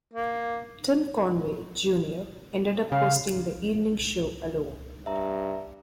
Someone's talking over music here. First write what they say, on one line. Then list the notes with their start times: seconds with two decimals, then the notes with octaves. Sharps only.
Tim Conway, Junior ended up hosting the evening show alone.
0.14 A#3
2.92 C#3 F5
5.06 G2 E5 A#5